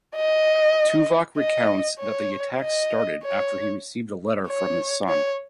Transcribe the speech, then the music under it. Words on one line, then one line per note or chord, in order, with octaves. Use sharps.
Tuvok recounts that the attacks started after he received a letter from his son.
D#5
D#5
C#5
D#5
C#5
C#5
C#5